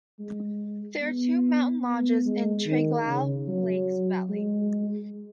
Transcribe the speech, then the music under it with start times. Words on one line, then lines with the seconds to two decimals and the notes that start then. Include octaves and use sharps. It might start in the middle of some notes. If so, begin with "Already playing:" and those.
There are two mountain lodges in the Triglav Lakes Valley.
0.19 G#3
1.01 B3
1.83 B3
2.25 G#3
2.66 D#3
3.06 C#3
3.48 F#3
4.30 G#3